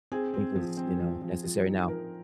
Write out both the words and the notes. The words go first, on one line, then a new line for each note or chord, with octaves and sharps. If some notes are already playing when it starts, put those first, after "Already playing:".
think is, you know, necessary. Now,
C4 G#4
C4
F3
C4
F3
F3
F3
D#4
F3 A#4